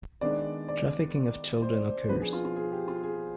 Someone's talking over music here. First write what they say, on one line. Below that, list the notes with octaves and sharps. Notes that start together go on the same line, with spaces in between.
Trafficking of children occurs.
D#3 G#3 B3 D4 D5
D5
C5
F3 B3 D4 B4
G#4
F4
F4
G#4
G4
F4
G#4